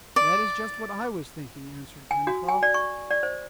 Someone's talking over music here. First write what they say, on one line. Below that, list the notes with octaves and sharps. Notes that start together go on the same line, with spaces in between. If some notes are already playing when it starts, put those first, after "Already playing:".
"That is just what I was thinking," answered Pencroft.
D5
G#5
F#4
G#5
D5
C#6
D5
C5